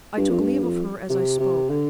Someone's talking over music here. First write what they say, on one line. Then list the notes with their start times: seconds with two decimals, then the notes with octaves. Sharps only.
I took leave of her as I spoke.
0.17 G2
0.30 F2
0.40 G2
0.63 F2
1.09 C3
1.40 C3
1.70 D3